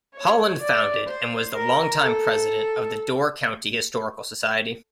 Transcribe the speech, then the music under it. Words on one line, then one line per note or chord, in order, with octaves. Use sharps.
Holand founded and was the long-time president of the Door County Historical Society.
C#5
D5
C5
A#4
A4